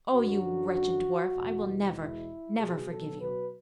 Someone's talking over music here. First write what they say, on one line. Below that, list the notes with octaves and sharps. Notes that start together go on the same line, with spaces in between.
Oh, you wretched dwarf, I will never, never forgive you!'
F#2 D3 F#3 F#4
E2 B2 G#3
E4
B2 F#3 G#4
A4
B4